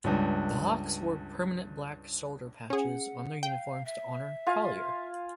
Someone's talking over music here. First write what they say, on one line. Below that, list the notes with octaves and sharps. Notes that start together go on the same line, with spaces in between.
The Hawks wore permanent black shoulder patches on their uniforms to honor Collier.
C#2 G2
C#4 G#4 F#5
F5 G5
E5
F4 F5 G#5